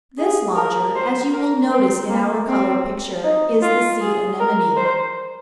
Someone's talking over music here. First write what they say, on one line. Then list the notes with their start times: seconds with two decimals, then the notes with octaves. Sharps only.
This lodger, as you will notice in our coloured picture, is the sea anemone.
0.18 G#4
0.56 A#4
0.95 C5
1.33 A#4
1.71 C4
2.10 A#3
2.48 C4
3.24 D#4
3.62 F4
4.01 G#4
4.40 A#4
4.77 C5